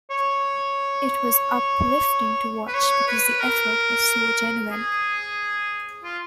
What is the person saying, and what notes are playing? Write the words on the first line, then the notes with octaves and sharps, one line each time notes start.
It was uplifting to watch because the effort was so genuine.
C#5
B4
C#5
B4
A#4
G#4
F4